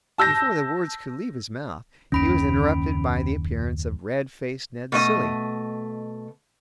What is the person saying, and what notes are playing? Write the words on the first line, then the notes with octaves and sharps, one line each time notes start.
Before the words could leave his mouth, he was interrupted by the appearance of red-faced Ned Cilley.
A5 E6 G6 A#6
F#1 D#2 D#3 C#4 B5 D7
B2 A3 D#5